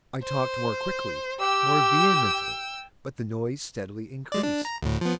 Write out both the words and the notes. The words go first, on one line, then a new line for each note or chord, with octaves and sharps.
I talked more quickly--more vehemently; but the noise steadily increased.
C5
G4 G5 E6
G#3 D5
D4
A#5
D2 A2
F3 B3